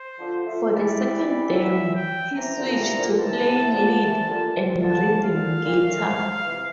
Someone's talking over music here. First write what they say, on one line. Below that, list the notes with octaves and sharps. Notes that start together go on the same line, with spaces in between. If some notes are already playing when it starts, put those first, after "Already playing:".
For the second demo, he switched to playing lead and rhythm guitar.
Already playing: C5
D3 F3
F3 A3
E3 G3 D5
E5
G5
C3 E3 A#5
A#2 D3
F3
C3 E3
A#2 D3
C3 E3 A5
C3 E3
D3 F3
C3 E3
A#2 D3
C3 E3
D3 F3 A5
C3 E3
F5
A#2 D3
A#2
A2
A2 C3
C3 E3